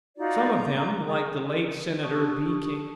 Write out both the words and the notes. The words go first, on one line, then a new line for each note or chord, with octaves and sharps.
Some of them, like the late Senator B.K.
D#4 F4 F#4 D5
A#5
G#4 A#4 D#6
D4 G4 A5 C#6 D#6